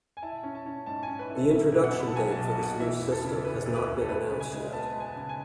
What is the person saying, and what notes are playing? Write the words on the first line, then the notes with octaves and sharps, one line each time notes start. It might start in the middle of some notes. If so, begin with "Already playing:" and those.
The introduction date for this new system has not been announced yet.
G#5
E4 A5
C#4
A5
C#4
G#2 A5
C#4 G#5
B4
E4
A4
B1 E5
B2
F#5
B2
B5
A5
B1 G#5
A5
B1
A5
B2 F#5
E3 E5
E1
A4
C#3
E3 B4
D2
B4
D2
A4
D2 B4
C#3
G#5
G#3
B3 A5
G#3
G#5
A5
C#3
G#5